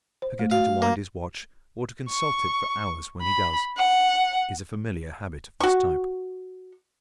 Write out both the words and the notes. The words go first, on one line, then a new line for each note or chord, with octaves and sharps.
Forgetting to wind his watch or to consult it for hours when he does, is a familiar habit of this type.
C5
A3
F#4 F5
A#3
C#6
B5
F#5
F#4 C#6